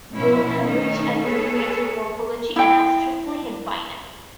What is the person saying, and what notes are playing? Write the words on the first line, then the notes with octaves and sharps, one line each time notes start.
Both have rich agglutinative morphology and are strictly head-final.
B2 F3 A#3 C#4 E4
D#3 A3 C#4 D#4
G#4 A4 B4 C#5
E4 G5